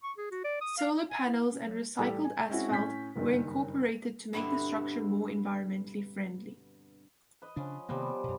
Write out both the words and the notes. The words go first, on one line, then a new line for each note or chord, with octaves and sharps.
Solar panels and recycled asphalt were incorporated to make the structure more environmentally friendly.
C#6
G#4
F#4
D5
D#6
F5
D#4
G#5
E4
C#4
F#3
A2 E3 G3 G4 A4
G#5
G#3 C4 C#4 E4 F#4
A2 C#4 G6 B6
F#1 G2 D#3
G2 B2 D3 C4 E4
B4 D#5
C#3 F3 C#4 D4
C3 D#3 F3 G3 A#3 B3
F#2 B2